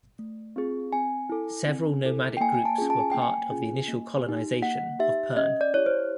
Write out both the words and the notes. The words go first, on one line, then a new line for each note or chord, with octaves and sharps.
Several nomadic groups were part of the initial colonization of Pern.
A3
C4 F4 G#4
C4 G#5
E4 A4
C4
E4 A4
G5
A#3 G#5
G#5
A5
C#4 F4 G#4
A5
G#5
A#3 G5
G#5
C#4 F4 G#4
A#3
D#4 G4
A#3 F#5
D#4 G4 E5
C#4 D#5
D5
E4 G4 C#5
C5